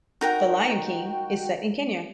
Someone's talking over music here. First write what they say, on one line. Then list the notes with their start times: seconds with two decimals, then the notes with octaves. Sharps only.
The lion king is set in Kenya.
0.21 D#4 F#4 A#4 F#5 G5